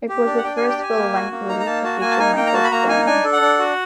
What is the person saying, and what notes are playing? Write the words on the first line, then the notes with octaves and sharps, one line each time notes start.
It was the first full-length release to feature Mikael Stanne.
G4
D4
F#5
D4 G5
G#5
G4
G5
G4 G#5
A#3
F#4
A#3
D#4 A#5
A#5
A#3 A5
F#4 A5
A#3 G#5
A5
D#4 G#5
A#3 G5
A#5
F#4 A5
B5
A#3 A#5
D#4 G#5
D4 G#5
A4
F#5
D4
F#4